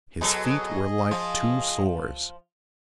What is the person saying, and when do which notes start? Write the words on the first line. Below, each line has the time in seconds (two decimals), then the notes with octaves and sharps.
His feet were like two sores.
0.21 B2 F#3 G#4 A4 D#5
1.11 F3 F4